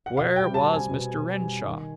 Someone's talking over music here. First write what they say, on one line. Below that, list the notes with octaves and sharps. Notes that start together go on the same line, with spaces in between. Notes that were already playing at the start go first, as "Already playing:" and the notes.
Where was Mr. Renshaw?
F#5
B2 F5
G5
G3
A5
C4
G#5
B2
B2
G3
D#3